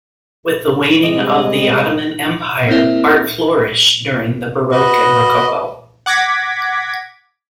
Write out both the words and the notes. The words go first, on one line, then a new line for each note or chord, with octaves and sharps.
With the waning of the Ottoman Empire, art flourished during the Baroque and Rococo.
C3 G3 G#3 D#5
A#3 C4 E4 A#4 C5 E5
F#4 B4 D#5
F#5 D6 G#6 A#6 B6